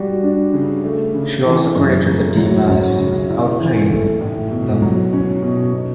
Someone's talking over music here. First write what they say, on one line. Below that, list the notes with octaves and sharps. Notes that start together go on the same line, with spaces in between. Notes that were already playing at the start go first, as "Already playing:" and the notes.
She also credited the team as "out playing" them.
Already playing: G3 F#4
D4
C#3
A3
C#3
E3
F#2
C#3
F#3
C#4
C#3
E4
E3
A3
A2
B2
F#3
C#4
B2
B2